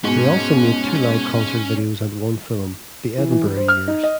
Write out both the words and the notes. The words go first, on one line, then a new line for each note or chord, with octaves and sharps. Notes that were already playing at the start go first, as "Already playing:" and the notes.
They also made two live concert videos and one film, "The Edinburgh Years".
G#2 B2 C#4
E3
E3
G3
C5
F6
D#4
D#5